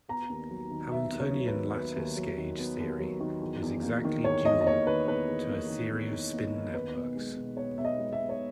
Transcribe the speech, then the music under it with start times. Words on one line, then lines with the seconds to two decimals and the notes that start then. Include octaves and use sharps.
Hamiltonian lattice gauge theory is exactly dual to a theory of spin networks.
0.09 B3 A#5
0.30 D#2
0.50 F#3
0.71 D#3
0.92 B3 E5
1.12 D#2
1.20 C#5
1.34 F#3
1.47 B4
1.54 D#3
1.75 B3 B4
1.96 D#2
2.16 F#3
2.38 D#3
2.59 B3
2.80 D#2
3.00 F#3
3.20 D#3
3.41 E2
3.62 E2
3.83 A#3
4.04 D#3
4.24 E2 C#5
4.45 E2 D#5
4.61 D#5
4.66 A#3 C#5
4.87 D#3 B4
5.08 E2 B4
5.28 E2
5.49 A#3
5.70 D#3
5.91 E2
6.11 E2
6.33 A#3
6.53 D#3
6.74 B3 B4
6.95 B1
7.16 G#3
7.37 B2
7.57 B3 C#5
7.78 B1 E5
7.85 D#5
7.99 G#3
8.13 E5
8.20 B2
8.29 C#5